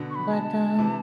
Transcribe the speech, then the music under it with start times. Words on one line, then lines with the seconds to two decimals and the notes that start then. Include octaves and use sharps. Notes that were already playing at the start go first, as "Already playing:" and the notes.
but, um,
Already playing: B2 D3
0.10 C#6
0.15 B5
0.33 A5
0.78 C3 E3